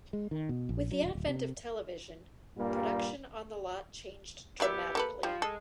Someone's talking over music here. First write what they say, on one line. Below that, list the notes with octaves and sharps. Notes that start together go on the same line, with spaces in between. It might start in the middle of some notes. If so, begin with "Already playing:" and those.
With the advent of television, production on the lot changed dramatically.
G#3
D#3
B2
A#1
F#3
D#1
D1
C3
G2 A#2 G3 A#3
A#3 B3 E4 G4 D5 E5
A#3 A4 B4
F3 G3
G#3 A4